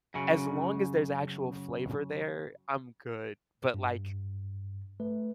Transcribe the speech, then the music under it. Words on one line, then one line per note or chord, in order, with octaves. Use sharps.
as long as there's actual flavor there, I'm good. But like,
F#2 C#3
G2
A3 B4